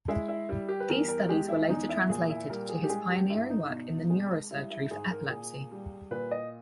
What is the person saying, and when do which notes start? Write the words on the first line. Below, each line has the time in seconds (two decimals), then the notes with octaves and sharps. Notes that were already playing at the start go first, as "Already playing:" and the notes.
These studies were later translated to his pioneering work in the neurosurgery for epilepsy.
0.08 G#3 E4
0.28 E4
0.49 G3 E4
0.69 G4
0.80 B4
0.89 E2 A#4
1.08 A#4
1.29 G#3 G4
1.48 E4
1.69 E2 D#4
1.89 E4
2.09 A#2 G#4
2.30 E4
2.50 G3 A#4
2.69 G#4
2.84 G4
2.89 G#3 G#4
3.10 G4
3.29 G2 E4
3.50 D#4
3.69 B2
4.10 G#3
4.51 G3 E4
4.70 E4
4.91 G#2 G#4
5.10 A#4
5.30 A#2 G#4
5.71 G3
6.11 A#2 B4
6.31 D#5